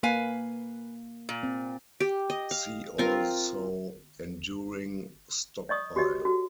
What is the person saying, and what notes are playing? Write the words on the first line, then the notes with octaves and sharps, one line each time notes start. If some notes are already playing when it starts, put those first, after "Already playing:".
See also Enduring Stockpile.
A#3 B4 F5 G#5
A#2
C4
G4
D#5
F5
C4 F4 A#4
D5 D#5 C#6 D#6
F#4 G4 C#5 D#5
F#4 A4